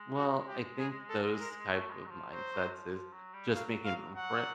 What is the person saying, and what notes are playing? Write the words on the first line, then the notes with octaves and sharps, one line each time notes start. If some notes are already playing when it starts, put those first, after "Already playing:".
Well, I think those type of mindsets is just making room for it
Already playing: G#3
F#4
G4
G#4
A4
A#4
A3
G#3
F#3
F3
F#3 C5
F#3
F3
F3
F#3
G3
F#3 F5
F5
F#3 F#5